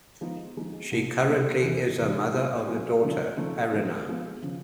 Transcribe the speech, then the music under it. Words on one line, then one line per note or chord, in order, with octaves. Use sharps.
She currently is a mother of a daughter, Arena.
F3 G#3 B3 D#4
F3 G#3 B3 D#4
C2 B2 G3 A#3
C2 B2 G3 A#3
E2 C3 E3
E2 C3 E3
A#2 F#3 B3 E4 G#4
A#2 F#3 B3 E4 G#4
C#3 F3 A3 C4 D#4
C#3 F3 A3 C4 D#4
F3 G#3 B3
F3 G#3 B3
C#3 F3